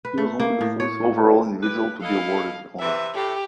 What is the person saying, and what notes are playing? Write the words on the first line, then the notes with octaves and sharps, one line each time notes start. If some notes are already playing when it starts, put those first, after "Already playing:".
He was only the fourth overall individual to be awarded the honor.
B4
A3
A#3
A2
C#5
E4 G4 B4
E4 A4 D#5 F5
C3 E3 E5
A2 G4